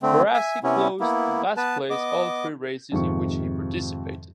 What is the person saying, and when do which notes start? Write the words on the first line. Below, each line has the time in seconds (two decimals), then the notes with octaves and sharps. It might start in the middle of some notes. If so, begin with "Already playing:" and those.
Barassi closed in last place all three races in which he participated.
0.03 D3 A3 C4
0.34 E5 G#5
0.63 C3 B3 C#4 E4
1.00 A#3 B3 E4
1.57 B3 B4 A5
1.90 B3 D#5 D6
2.92 F2 G#2 C3 D#3 F4 C#6